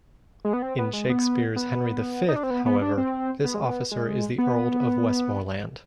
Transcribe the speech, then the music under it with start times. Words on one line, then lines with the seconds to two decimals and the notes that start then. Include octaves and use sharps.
In Shakespeare's "Henry the Fifth," however, this officer is the Earl of Westmoreland.
0.45 G#3
0.53 B3
0.62 C4
0.78 B3
0.93 G#3
1.09 B3
1.56 B3
2.28 D#4
2.36 D4
2.43 C4
2.50 B3
2.66 B3
2.82 D4
2.98 C4
3.44 B3
3.54 G#3
3.65 B3
3.91 G#3
4.38 B3